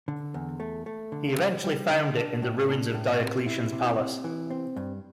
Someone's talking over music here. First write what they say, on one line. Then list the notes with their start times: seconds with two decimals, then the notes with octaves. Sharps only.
He eventually found it in the ruins of Diocletian's Palace.
0.08 D3
0.34 E2
0.60 A3
0.86 A3
1.12 D3
1.38 G3
1.64 G3
1.91 D3
2.17 D4
2.42 A2
2.68 D4
2.94 A2
3.20 C3
3.46 E4
3.72 C3
3.99 C3
4.24 E3
4.50 C4
4.76 G2